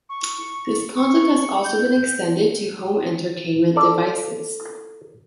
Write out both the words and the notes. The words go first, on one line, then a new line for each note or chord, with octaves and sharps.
This concept has also been extended to home entertainment devices.
C#6
C#6
G6
A4 D5